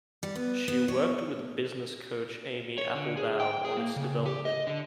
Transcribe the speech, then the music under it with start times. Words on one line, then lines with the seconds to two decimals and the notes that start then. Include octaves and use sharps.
She worked with business coach Amy Applebaum on its development.
0.23 G3
0.35 B3
0.68 B3
0.88 C#5
2.78 C#5
2.95 D3
3.17 G#4
3.40 G5
3.65 G#4
3.77 A#3
3.96 C#3
4.26 G4
4.45 D#5
4.67 D3